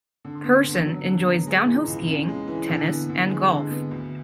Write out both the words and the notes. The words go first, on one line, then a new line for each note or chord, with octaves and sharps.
Persson enjoys downhill skiing, tennis and golf.
D3
B3
D3
F#3
D3
B3
G#3
E3
C#2
C#3
G#3
E3
D3
B3
D3
G#3
D3
B3
D2